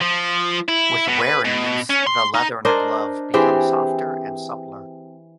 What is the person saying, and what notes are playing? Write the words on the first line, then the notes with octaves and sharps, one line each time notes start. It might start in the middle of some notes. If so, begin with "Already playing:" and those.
With wear and use, the leather in a glove became softer and suppler.
F3
E4
B2
B4
B2
C#4
C6
D#4
D4 A#4 C5 D#5
E3 C4 G4 G#4